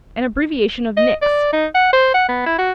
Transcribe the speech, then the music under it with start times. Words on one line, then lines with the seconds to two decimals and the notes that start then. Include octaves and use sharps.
An abbreviation of Nix.
0.97 D#5
1.22 D5
1.53 D#4
1.74 F#5
1.93 C5
2.14 F#5
2.28 B3
2.46 E4
2.58 F#4